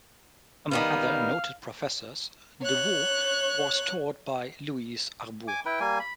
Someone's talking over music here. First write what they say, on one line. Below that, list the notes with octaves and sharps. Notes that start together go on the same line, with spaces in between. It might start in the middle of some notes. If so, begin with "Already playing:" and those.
Among other noted professors, Deveaux was taught by Louise Arbour.
D#3 G3 B3 F5
C#5 F#6
G#5 D6
E4 B4 G5
G3 A#3 G#5
B5